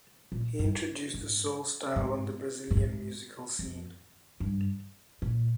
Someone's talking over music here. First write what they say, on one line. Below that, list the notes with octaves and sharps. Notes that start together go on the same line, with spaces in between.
He introduced the soul style on the Brazilian musical scene.
A#2
G2
G#2
G#2
A#2
G#2
F2
G2
A#2